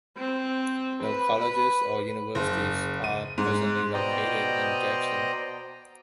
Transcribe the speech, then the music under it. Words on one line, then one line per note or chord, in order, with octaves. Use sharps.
No colleges or universities are presently located in Jackson.
C4
B4
B4
F#1
D#7
G#2
B2 C5 D5 D#5 G5 A#5